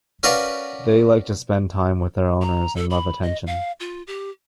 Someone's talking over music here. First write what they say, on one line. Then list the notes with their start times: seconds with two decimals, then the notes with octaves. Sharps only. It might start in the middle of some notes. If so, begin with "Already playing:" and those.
They like to spend time with their owners and love attention.
0.23 C#4 F#4 A#4 B4 D5 F5
2.42 A#5
2.76 A4
2.90 B5
3.22 D#5
3.47 F5
3.80 F4
4.07 G4